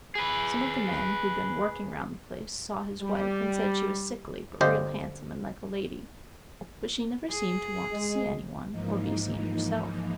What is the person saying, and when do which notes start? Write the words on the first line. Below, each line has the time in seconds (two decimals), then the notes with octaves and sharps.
Some of the men who'd been working round the place saw his wife and said she was sickly but real handsome and like a lady, but she never seemed to want to see anyone or be seen herself.
0.15 G#4 B4
3.02 G3
4.61 G1 D3 G4 C5 D#5 F5
7.30 G#4
7.91 G#3
8.70 G#2 E3 F3 A#3 D#4